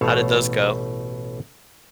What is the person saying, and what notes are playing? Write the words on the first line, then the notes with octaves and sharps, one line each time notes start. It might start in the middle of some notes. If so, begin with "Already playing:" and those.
How did those go?
A1 B2 A3 C#5 F5 A5